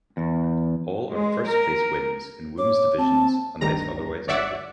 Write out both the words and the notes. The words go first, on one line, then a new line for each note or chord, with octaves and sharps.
All are first-place wins, in women's divisions, unless otherwise noted.
E2
G#3
A#4
C#5 D6
C4 A5
G1 D2 D#3 G3 A#5 A#6
G1 C#5 D5 E5 F#5